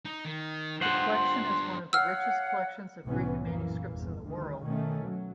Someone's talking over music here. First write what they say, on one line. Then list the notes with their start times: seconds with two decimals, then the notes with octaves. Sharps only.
The collection is one of the richest collections of Greek manuscripts in the world.
0.05 D#4
0.25 D#3
0.81 G2 F4 C5 F#5 C6
1.93 C#5 F5 F#5 E6 F6
3.05 C2 A2 C3 E3 B3 C#4
3.41 A#1 F#2 E3 A#3
3.90 G1 E2
4.26 D2 D#3 G3
4.63 B2 D#3 A3 C#4
5.04 F#3